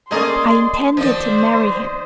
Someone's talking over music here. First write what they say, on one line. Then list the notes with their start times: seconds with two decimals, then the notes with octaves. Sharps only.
I intended to marry him.
0.11 A3 A#3 C#4 G#4 D5 D#5 C6
0.97 D#3 F3 C5 D5